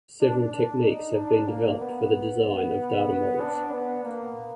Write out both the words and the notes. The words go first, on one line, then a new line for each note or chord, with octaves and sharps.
Several techniques have been developed for the design of data models.
D4
D4
D#4
D4
A#3
B3
D4
B3
A#3